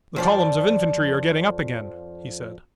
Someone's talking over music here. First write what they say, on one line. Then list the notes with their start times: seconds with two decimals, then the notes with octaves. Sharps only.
"The columns of infantry are getting up again," he said.
0.16 F2 F3 D5